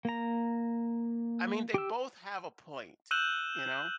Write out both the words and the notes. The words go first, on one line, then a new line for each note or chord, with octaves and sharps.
I mean, they both have a point, you know
A#3 A#5
G4 E6
E6 F#6 G6 D#7 E7 F#7